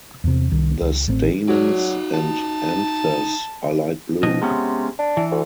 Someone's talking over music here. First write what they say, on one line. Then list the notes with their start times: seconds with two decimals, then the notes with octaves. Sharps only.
The stamens and anthers are light blue.
0.24 E2 C3
0.51 C2 D#3
0.81 C#2
1.08 A1 A3 C4
1.48 F#3 D#4 F#4 D5
2.14 A5
4.23 B2 F3 D#5
4.42 C3 G#3 B3 C#4
4.99 D4
5.17 E3
5.31 D2